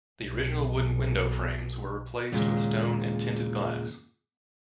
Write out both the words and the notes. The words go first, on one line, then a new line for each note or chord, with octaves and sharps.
The original wooden window frames were replaced with stone and tinted glass.
B1 B2
D#2 A#2 C#3 G#3